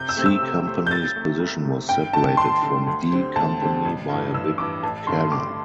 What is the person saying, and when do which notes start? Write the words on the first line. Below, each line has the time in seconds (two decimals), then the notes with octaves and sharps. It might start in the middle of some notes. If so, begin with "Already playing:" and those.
C Company's position was separated from D Company by a big canal.
Already playing: C3 G6
0.09 E6
0.17 A3 C4 G4 C5
0.26 E6
0.41 C3
0.66 A3 C4 G4 C5
0.86 G6
0.90 C2 A6
1.16 C3 A3
1.39 C2
1.64 C3 A3
1.89 G2 G5
2.13 D3 A3 A5
2.37 G2 C6
2.62 D3 A3
2.87 D2
3.12 D3 C4 G4 C5
3.35 D2 A5
3.60 D3 C4 G4 C5
3.85 A1
4.09 G2 E3
4.34 A1 E6
4.58 G2 E3 D6
4.83 A1 A5
5.07 G2 D3 A3 C6
5.32 A1 D6